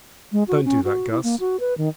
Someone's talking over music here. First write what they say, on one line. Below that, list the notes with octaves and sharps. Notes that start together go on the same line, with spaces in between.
"Don't do that, Guss?"
G#3
F#4
C#4
F#4
E4
A#3
F#4
B4
D#3